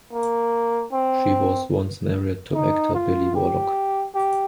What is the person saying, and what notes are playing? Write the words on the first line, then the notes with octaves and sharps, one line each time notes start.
She was once married to actor Billy Warlock.
A#3
C4
D#4
F4
G4
G4